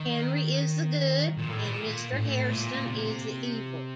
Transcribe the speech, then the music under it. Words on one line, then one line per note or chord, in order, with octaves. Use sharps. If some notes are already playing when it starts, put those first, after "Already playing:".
Henry is the good, and Mr. Hairston is the evil.
Already playing: D#3
A#2
A2
A#2
A2
A#2
C3